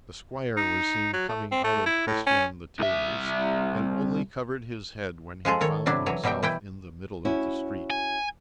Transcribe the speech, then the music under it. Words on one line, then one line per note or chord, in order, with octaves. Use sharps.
The squire was seen coming out of Christian the tailor's, and only covered his head when he found himself in the middle of the street.
D#4
F#3
A3
C4
A3
E4
A2
C#4
C2 E5
F3 G#3 G#4 A4
D#3 A4 C#5
C3 F#3 D4 E4
E3 F#3 C#5
B2 F#3 G3 E5 G5
E3 E4 G5
C#4 E4 F#4
G#5